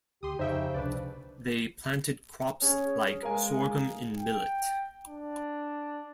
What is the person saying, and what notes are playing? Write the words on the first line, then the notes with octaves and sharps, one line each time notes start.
They planted crops like sorghum and millet.
D2 G4 C6 D#6
F2 C#3 D#4 C5 E5 G5
C#2 C3 F3 D4 B4 D5
C#4 G#4 C#5
G#3 A#4 F5 G#5
G5
D4